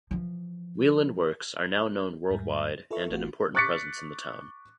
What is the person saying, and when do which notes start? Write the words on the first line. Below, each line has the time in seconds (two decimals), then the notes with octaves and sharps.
Wieland Works are now known worldwide and an important presence in the town.
0.11 E3 F3
2.30 E2 G#2 G3
2.91 E4 F4 A4 B4 E5 C#6
3.10 G#1 A3 F4 F#4
3.55 C#6 D6 F#6 A6 B6 C#7